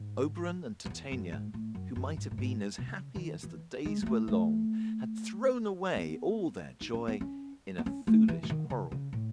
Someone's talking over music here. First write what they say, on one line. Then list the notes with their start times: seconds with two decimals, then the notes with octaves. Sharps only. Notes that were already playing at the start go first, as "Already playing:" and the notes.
Oberon and Titania, who might have been as happy as the days were long, had thrown away all their joy in a foolish quarrel.
Already playing: G#2
0.85 F#2
0.90 E2
1.12 F#2
1.32 G#2
1.54 A2
1.75 F#2
1.96 F#2
2.17 G#2
2.31 A2
2.38 G#2
2.78 B2
2.87 C#3
3.16 D#3
3.43 E3
3.85 G#3
4.02 G#3
4.06 A3
4.28 A3
5.96 B3
6.81 D#4
6.94 C#4
7.08 B3
7.21 C#4
7.78 B3
7.86 C#4
8.07 A3
8.28 E3
8.43 E3
8.50 D#3
8.70 C#3
8.92 C#3
9.13 A2